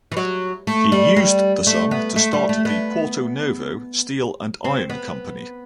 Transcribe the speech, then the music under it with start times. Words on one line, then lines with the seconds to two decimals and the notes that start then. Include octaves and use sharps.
He used the sum to start the "Porto Novo Steel and Iron Company".
0.12 E3
0.17 F#3
0.67 A3
0.92 G3
1.17 G3
1.67 A3
1.91 B3
2.16 A3
2.33 G3
2.49 A3
2.65 B3
4.65 C4
4.90 B3